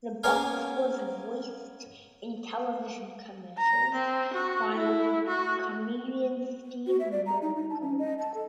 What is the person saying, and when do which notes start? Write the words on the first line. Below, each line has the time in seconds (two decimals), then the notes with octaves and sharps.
The box was voiced in television commercials by comedian Steve Mackall.
0.24 A#3 B3 C#4 G#4 A#4 F5
3.58 A#5
3.95 C4
4.34 F#4
4.73 E4
5.27 F#4
6.87 F#4
7.00 E5
7.12 D5
7.26 A#5
7.42 D#4
7.56 D#4
7.70 A5
7.82 C#4
7.99 D#5
8.19 A5
8.34 A4